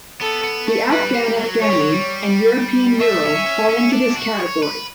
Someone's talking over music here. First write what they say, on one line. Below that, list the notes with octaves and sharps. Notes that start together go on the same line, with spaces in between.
The Afghan afghani and European euro fall into this category.
B3 A4
B3
A3
G3 B4
G3
F#3
A3 C#5
G3
F#3
G3
A3 E5
C#4
C#4
C#4
D4
G4
F#4
C#5
B4